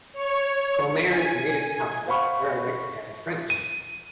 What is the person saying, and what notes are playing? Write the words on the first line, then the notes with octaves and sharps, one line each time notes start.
Comair's native tongues are Arabic and French.
C#5
G#5
C5 F5 F#5 B5 C#6
D#7